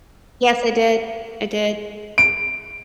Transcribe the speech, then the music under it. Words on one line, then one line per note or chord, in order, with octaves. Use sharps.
Yes, I did. I did.
D7